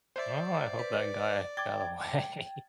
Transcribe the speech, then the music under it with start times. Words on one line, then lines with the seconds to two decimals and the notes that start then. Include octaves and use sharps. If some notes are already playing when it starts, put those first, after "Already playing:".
Oh, I hope that guy got away,
0.16 C5 D5 E5
0.79 B4
1.57 G5 D6 G#6 A6